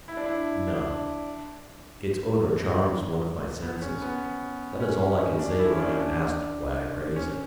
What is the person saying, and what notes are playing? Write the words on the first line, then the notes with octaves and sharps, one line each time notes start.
No; its odor charms one of my senses--that is all I can say when I am asked why I praise it.
E4
D4
E4
D4
B3
C#4
B3
C#4
D4
E4
C#4
D4
D4
C#4